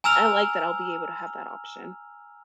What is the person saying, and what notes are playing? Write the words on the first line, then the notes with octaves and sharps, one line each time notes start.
I like that I'll be able to have that option.
G#5 A#5 E6 F6 F7